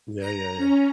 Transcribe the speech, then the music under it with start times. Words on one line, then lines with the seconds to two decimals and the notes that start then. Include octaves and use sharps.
Yeah, yeah, yeah.
0.20 A#5
0.57 C#4